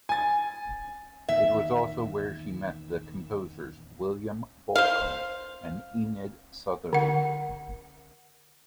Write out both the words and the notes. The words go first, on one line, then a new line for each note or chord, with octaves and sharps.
It was also where she met the composers William Bolcom and Enid Sutherland.
G#5 A6
E2 A#2 D#3 E5
C5 F5
D3 F#5